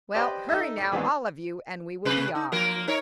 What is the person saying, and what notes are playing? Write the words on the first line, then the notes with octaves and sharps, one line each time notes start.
"Well, hurry now, all of you--and we will be off."
G4 B4 C5 D5 D#5 G5
D#4 A4 D#5 E5
A2 G3
D#2 E3 G#3 B3 C4 D4
C3 B4
D#4
F3 A#3 A#4
D#4 A#4 C#5